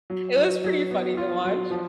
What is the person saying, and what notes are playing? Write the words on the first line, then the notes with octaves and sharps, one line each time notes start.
Iit was pretty funny to watch.
F#3
F#3
F#3
B3
F4
F#3
F3